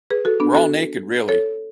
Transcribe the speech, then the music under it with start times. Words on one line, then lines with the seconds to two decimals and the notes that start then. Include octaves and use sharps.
We're all naked really.
0.10 G#4 B4
0.25 F#4 A4
0.40 B3 D4
0.55 F#4 A4
1.28 A4 C#5